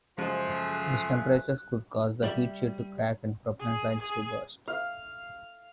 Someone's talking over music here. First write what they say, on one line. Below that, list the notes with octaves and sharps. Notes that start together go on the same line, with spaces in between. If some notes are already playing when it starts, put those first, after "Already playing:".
These temperatures could cause the heat shield to crack and propellant lines to burst.
F#2 C#3 F3 G#3 A3 F4 G#4 F#6
G3 D5 E5
G#4
G#4
F5